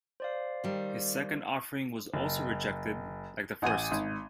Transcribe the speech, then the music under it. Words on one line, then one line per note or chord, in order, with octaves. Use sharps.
His second offering was also rejected, like the first.
C5 D5 F5
D#3 G3
F#1
A1 F#5 G#5 D#7
G#1